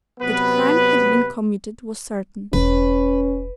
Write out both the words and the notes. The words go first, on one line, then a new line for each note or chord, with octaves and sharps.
That crime had been committed was certain.
C3 F#3 B3 B4
E1 C#4 B4